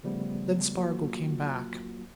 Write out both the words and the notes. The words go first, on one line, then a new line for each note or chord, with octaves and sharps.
Then Spargo came back.
C#3 F3 G3 A3 B3
F#3 A#3 F4 F#4